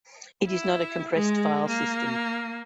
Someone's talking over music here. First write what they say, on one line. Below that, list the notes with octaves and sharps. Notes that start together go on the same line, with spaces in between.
It is not a compressed file system.
E4
G#3
A#3